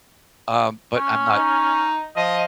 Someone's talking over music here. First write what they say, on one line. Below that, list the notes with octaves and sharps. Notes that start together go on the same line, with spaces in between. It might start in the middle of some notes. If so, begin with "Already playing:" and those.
um, but I'm not
C#4
D#4
F3 D#5